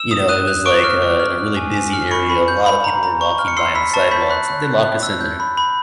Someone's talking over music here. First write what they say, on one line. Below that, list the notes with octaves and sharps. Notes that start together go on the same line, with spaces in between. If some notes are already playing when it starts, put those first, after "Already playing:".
you know, it was like, uh, in a really busy area, a lotta people were walking by on the sidewalks, they locked us in there,
Already playing: E6 E7
D#6
D#6 F#6 D#7
F#6
C#6 D6 D7
F6
C#6
F6
F6
G#5
G#5
F6
B5 C#6 C#7
B5
G6
B5
A#5
A#5
C#6
F6
C#7
C6 E6 C7
B5 E6 B6
A5 C#6 A6
B5 G6 B6
B5 F#6 B6
F#6
F#6
F#6
E6
G6
B5
B5